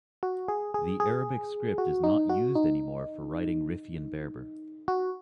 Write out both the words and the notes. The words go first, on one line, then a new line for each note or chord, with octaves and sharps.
The Arabic script is not used anymore for writing Riffian Berber.
F#4
G#4
G#4
G#4
F#4
D#4
F#4
D#4
F#4